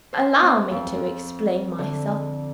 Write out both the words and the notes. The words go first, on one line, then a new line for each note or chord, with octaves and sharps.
"Allow me to explain myself."
C5
C4
F2
D3